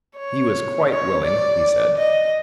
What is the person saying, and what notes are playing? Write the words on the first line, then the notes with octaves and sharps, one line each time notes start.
He was quite willing, he said.
C#5
C#5
D5
D#5